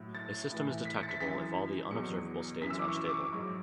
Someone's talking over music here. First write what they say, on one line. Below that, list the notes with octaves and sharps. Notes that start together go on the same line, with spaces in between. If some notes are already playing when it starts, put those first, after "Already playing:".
A system is detectable if all the unobservable states are stable.
Already playing: A2 F#3
A6
A2 E3
B6
C#7
A6
B6
F#2 E3 B6
E2 B2 F#3 C#7
F#2 E3 E6 B6
D6
C#6
E6
D6
C#6
D6
G#2 F#3